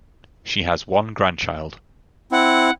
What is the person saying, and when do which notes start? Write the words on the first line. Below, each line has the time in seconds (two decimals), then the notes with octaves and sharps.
She has one grandchild.
2.32 C4 E4 F#5